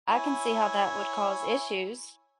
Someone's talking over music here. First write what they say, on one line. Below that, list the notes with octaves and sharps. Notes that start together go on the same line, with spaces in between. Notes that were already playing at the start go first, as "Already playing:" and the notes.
I can see how that would cause issues.
E4 C#5 G#5